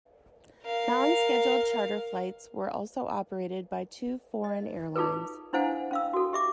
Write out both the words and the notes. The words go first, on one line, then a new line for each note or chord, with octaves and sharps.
Non-scheduled charter flights were also operated by two foreign airlines.
A#4 F5
D#5
D#4 F4 G#4 A4 B4
D4 E4 C5 F5 F#5 G#5
C#4 F5 E6
F#4 A4
G4 E5 D6